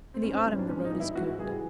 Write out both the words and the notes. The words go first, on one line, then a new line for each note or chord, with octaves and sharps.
In the autumn the road is good.
C4
G#2 C#4
C4
E3 G3 C#4
D4
G#2 C#4
D#4
E3 G3
E4
G#2 F#4
E3 G3 G#4